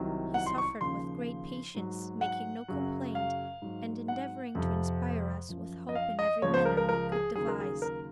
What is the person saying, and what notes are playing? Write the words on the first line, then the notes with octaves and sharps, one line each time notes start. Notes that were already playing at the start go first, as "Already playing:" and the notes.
He suffered with great patience, making no complaint, and endeavouring to inspire us with hope in every manner he could devise.
Already playing: C2 C3 D#3 F#3
F#5
C6
C#6
D#2 C#3 F3 C6
G#2 F#3
F#5
F#2 C#3 F#3
F5
G#2 F#3
F#5
F2 C3 F3
F#2 F3
D#5
F5
D#5
C#2 C#3 F3 C#5
C5
A#4
A#4
A#4
G#4
D#2 C#3 F#3 G#4
A#4
G#4
A#4